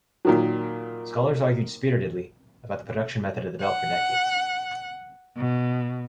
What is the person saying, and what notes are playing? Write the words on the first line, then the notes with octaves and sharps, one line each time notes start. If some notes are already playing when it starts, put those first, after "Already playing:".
Scholars argued spiritedly about the production method of the belt for decades.
A#2 D#3 F#3
F#5
B2